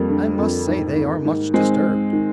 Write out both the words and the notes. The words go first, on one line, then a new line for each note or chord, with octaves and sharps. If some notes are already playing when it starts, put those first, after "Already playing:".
"I must say they are much disturbed."
Already playing: F2 G3 A#3
D3
F2
G#2
D#3
G#2
D#3 G#3 C4
G#2
D#3